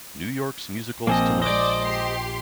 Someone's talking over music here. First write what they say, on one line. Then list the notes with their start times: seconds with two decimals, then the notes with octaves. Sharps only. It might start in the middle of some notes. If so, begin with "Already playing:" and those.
New York's Musicals Tonight!
1.07 A#1 A#3 C4 D#5 G#5 E7
1.42 G#3 C5 D5 D#5 D6
1.84 G4 C6